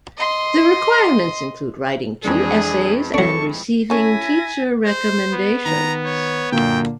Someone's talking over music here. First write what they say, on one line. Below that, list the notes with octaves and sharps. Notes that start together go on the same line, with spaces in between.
The requirements include writing two essays and receiving teacher recommendations.
D#5 C6
F2 E3 G#3 D4 G#4
F#3 D4 A4 C#6
A3 C#4 E4 G#5 A#6 B6
C5
B3
D#3 A#5
C#5
F#2 A#2 D3 A#3 G5